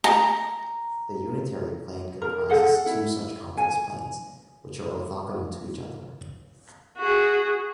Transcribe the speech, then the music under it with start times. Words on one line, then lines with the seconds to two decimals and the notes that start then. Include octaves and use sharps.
The unitary plane comprises two such complex planes, which are orthogonal to each other.
0.04 A#5
2.22 A#4
2.49 G#4 A4 F#5
2.86 E4
3.57 G#5
6.98 F#4 G#4